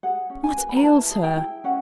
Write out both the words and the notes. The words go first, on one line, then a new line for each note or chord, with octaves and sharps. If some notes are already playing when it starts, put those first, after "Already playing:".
"What ails her?"
G#4 F#5
C#4
G#5
B4
B5
A#5
E4 A5
G#4
G5
E4
C#4 F#5